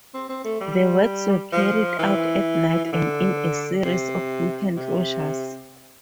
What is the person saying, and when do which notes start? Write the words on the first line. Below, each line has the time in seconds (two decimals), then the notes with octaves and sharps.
The works were carried out at night and in a series of weekend closures.
0.14 C4
0.29 C4
0.44 A3
0.61 G3
1.52 F3
1.99 E3
2.85 E3
2.92 D3
3.84 C3
4.77 C3